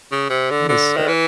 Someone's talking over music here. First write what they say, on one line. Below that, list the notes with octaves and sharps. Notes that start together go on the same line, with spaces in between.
That is sad.
C#3
C3
D3
D3
D#3
E3